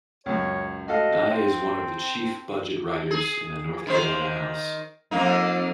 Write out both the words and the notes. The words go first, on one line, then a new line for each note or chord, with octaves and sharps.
Nye is one of the chief budget writers in the North Carolina House.
C#2 F#2 C#5
F#4 A4 D#5 F5
C4
G#4
D#3 C5
F2 A#3 D#4